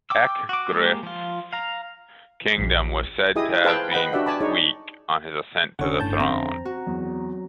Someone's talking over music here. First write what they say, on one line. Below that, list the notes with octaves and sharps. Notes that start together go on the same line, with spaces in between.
Ecgfrith's kingdom was said to have been 'weak' on his ascent to the throne.
G5 D6 E6
F#4 D6
G#3 A#3 G4
F3 F4
F5 A#5
A#1
E4 G4 G#4 D#5 D#6
G#4 B4 C5 F5 G5 A5
B4 D#5 F#5 G5 B5
D4 F#4 G4 D5 E5 F#5
D5 G#5 A5 B5
D#4 G#4 C#5
F1 D3 C#4 C#5 F#5
G1 A2 A5 G6
F2 C4 A#5
F#4
E2 F#3